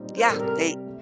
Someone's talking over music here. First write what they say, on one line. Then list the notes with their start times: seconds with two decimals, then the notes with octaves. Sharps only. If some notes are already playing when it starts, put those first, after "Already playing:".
Yeah, they
Already playing: A#2 G3 C4 D#4
0.16 C5
0.24 A#4
0.30 C3 G3 C4 G4 A4
0.39 A#4
0.86 A3